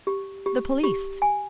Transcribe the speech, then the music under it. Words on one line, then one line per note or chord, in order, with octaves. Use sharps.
"The police."
G4
G4
G4
G#5